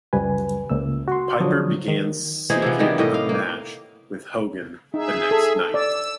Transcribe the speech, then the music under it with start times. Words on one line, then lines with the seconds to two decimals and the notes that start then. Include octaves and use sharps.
Piper began seeking a match with Hogan the next night.
0.13 C#2 F#2 G3 B4 G#5
0.70 C#2 A#3 E6
1.08 F#4 C6
1.40 D3 F3 F#3 D4 C#5 D#6
1.88 D#3
2.50 E3 D#4 G#4 C5
2.62 C3 F3 B3
2.79 D#3 E3 G3 D#4
2.98 A2 G4 D#5
3.14 F5
3.29 A#3
4.94 D#4 G#4 E5
5.31 A4
5.74 D5 E6